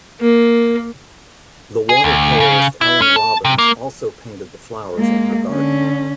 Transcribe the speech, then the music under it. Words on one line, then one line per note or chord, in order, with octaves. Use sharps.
The watercolorist Ellen Robbins also painted the flowers in her garden.
A#3
G#4
D2
C#3
E4
C#4
A5
C3
A#3
G#3 A#3
D3 C#4